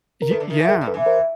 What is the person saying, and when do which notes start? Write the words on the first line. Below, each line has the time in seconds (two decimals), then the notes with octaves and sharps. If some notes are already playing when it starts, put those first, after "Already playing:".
Y yeah,
0.22 A#4
0.31 D#3 A4 B4
0.40 D3
0.50 D#3
0.59 E3
0.69 F#3 G#4 A#4
0.81 G3
0.88 A4 B4
0.94 E3
1.06 A#4 C5